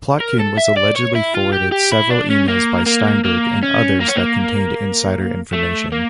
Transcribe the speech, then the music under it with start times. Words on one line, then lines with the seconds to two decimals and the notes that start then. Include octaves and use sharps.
Plotkin was allegedly forwarded several emails by Steinberg and others that contained insider information.
0.20 A#4
0.39 A4
0.58 E5
0.77 D5
0.96 C#5
1.16 E4
1.35 F4
1.53 G4
1.72 G4
1.92 E4
2.10 D4
2.30 C#4
2.48 A#3
2.86 A#3
3.24 A#3
3.63 C#4
4.01 A#3
4.09 C#4
4.17 A#3
5.53 A3
5.92 A#3